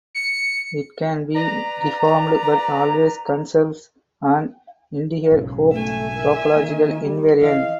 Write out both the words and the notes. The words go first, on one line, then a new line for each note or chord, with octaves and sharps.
It can be deformed but always conserves an integer Hopf topological invariant.
C#7
B4 D5 A#5
B1 G#2 C#3
A3 E5 G#5
A#4
D#3 A#3
G3
E3 D#5 F5